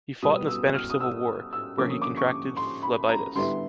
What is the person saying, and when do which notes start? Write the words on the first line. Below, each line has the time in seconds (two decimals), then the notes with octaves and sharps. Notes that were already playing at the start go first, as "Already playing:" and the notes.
He fought in the Spanish Civil War, where he contracted phlebitis.
0.22 B2 G3 B3 D#6
0.48 E6
0.75 F6
0.90 D#6
1.00 E6
1.53 E6
1.78 D3 F3 A#3 C#4 D6
1.90 D#6
2.02 D6
2.17 C#6
2.57 C6
2.82 B5
3.09 A#5
3.35 D3 G3 B3 E4 C6